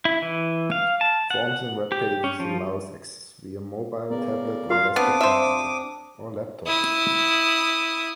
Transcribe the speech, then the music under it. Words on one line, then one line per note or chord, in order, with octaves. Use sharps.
Forms in webpages allows access via mobile, tablet or desktop computer or laptop.
E4
E3
F5
A5
F#5
G4
C#4
F3
C#3 B3 A#4 D5
F4 F5 C6
B3 C4 D4 D6 D#6
C5 E5
E4 D#6